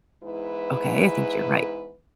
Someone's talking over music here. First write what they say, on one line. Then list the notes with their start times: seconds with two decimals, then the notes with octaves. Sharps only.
"Okay, I think you're right."
0.23 E2 G#2 E4 B4